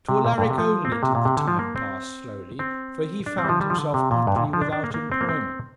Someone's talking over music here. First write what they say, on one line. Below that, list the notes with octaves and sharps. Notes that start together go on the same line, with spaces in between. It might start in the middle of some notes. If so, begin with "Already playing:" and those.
To Alaric only did the time pass slowly, for he found himself utterly without employment.
C3
A#2
G2
A#2
C3
F3
C4
A#3
C3
A#2
C3
D3
F3
A#3
C4
C4
D4
C4
G3
F3
G3
F3
D3
C3
A#2
G2
A#2
F3
D4
D4
A#3
A#3
C4
A#3
C4